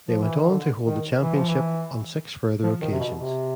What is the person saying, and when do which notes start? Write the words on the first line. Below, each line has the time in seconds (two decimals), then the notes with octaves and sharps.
They went on to hold the championship on six further occasions.
0.09 F3
0.22 E3
0.36 D#3
0.50 D3
0.86 D#3
1.22 E3
1.34 F3
1.48 E3
2.64 F3
2.82 D#3
2.93 C3
3.00 B2
3.16 C3